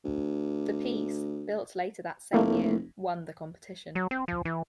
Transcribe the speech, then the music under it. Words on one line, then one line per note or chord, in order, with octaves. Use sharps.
The piece, built later that same year, won the competition.
D2
F1 A3 A#3 E4
F#3
C4
F3
E3